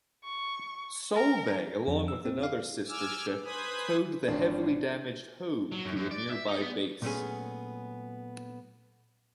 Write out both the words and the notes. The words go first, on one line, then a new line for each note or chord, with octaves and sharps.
"Solebay", along with another sister-ship, towed the heavily damaged "Hogue" to a nearby base.
C#6
A#4
F2
E6
C4
F5
G#5 D6 E6 F6
B4 C5 G#5 B5 D#6
G#1 C#4 D4
F#3
F#2
F#2
D5
E5
D#4
B3
A#2 F#3 A3 B3 C#4 G#4